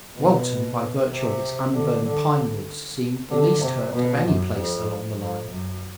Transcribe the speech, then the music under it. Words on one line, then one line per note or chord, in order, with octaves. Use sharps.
Walton, by virtue of its unburned pine woods, seemed the least hurt of any place along the line.
B2
C3
D3
D3
D3
C3
B2
F#2
F2
F2
F#2